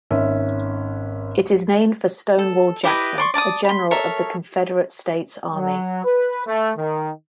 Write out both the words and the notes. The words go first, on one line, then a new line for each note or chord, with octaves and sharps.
It is named for Stonewall Jackson, a general of the Confederate States Army.
G#1 C#4 E5
A4
E4 G4 B4 D#5
D5 C6 C#6
D5 A5 D6 D#6
B5 C6
A4 A#4 C#5 E5
F#3
B4
A3
D#3